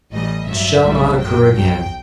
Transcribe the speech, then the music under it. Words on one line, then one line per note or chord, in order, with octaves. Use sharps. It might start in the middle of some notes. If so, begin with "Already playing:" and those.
'It shall not occur again.
A1 A2 E3 G3 D#5
A1 G2 F#3 E5
B1 A2 E3 G3
F#2 F#3 G5
B1 B2 F#3 G5